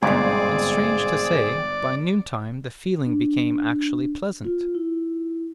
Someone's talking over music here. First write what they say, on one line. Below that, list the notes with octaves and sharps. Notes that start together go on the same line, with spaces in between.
And strange to say, by noontime the feeling became actually pleasant.
G1 G#2 B2 C4 G#4 D5
D4
F4
E4